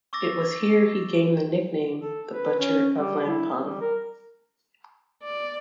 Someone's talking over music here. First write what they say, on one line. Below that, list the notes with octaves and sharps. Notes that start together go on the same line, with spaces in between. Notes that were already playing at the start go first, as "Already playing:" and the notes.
It was here he gained the nickname "The Butcher of Lampung".
C#6 D6 E6 A6 A#6
A4
B4
C#4
G3
E4
G3
A#4
D5